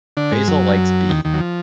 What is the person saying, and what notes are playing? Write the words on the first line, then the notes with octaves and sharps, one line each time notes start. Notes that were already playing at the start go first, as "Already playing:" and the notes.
Basil likes Bee.
D3 D4
G#2 G#3
F#2 F#3
D#2 D#3
D#2 D#3
F#3
F3